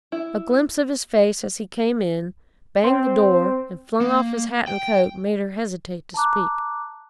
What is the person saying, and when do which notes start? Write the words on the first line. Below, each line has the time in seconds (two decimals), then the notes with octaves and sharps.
A glimpse of his face as he came in, banged the door, and flung off his hat and coat made her hesitate to speak.
0.12 E4
2.84 C4
4.01 A#3
4.67 G5
6.14 A5 A#5 D6 F#6